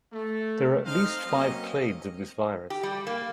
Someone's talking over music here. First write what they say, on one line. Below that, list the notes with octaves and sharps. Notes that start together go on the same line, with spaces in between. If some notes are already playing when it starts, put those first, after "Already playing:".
There are at least five clades of this virus.
A3
C4 D#4 C5 D#5 F5
F#3 A#3 C4 C#4 D#4 D#5
G4
G3
A#3